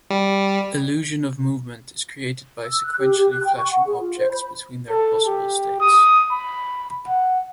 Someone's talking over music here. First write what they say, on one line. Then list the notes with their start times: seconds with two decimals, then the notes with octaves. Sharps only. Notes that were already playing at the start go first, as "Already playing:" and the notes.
Illusion of movement is created by sequentially flashing objects between their possible states.
0.10 G3
2.65 E6
2.84 F#6
3.00 G4
3.17 G4
3.31 F#6
3.44 G5
3.56 C#6
3.71 F#5
3.87 G#4
4.00 F4
4.18 C5
4.31 B5
4.89 A4
5.26 G4
5.81 D#6
6.31 B5
7.08 F#5